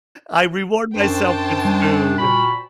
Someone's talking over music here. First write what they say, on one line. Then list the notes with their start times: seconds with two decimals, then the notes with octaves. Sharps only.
I reward myself with food,
0.96 F#2 D4 C5 G5 A5
1.65 G3
2.19 A#2 F#4 B5